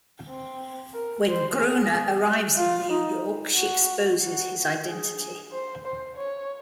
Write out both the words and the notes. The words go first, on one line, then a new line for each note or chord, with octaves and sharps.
When Gruner arrives in New York, she exposes his identity.
C4
A#4
C5
G#4
F4
D#4
F#4
F#4
G#4
C5
C5
C#5